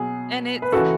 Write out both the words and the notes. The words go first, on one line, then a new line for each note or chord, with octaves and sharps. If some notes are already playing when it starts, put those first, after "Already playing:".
And it's
Already playing: B2 F#3 G#4
B4
C#3 E3 F#4 A4